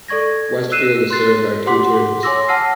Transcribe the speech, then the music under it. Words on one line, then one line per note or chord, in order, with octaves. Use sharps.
Westfield is served by two churches.
A4 D5 C#6 G#6 A#6
E6 F#6 C7 D#7 E7
C6 F#6 A6 C7
F#4 G4 F#5 C6 D6 B6
C#5 G#5 C6 D6 E6 A#6
F#5 A5 E6 F6 A#6 C7